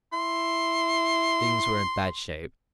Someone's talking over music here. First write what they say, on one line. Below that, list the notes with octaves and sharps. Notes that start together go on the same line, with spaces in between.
Things were in bad shape.
E4 C6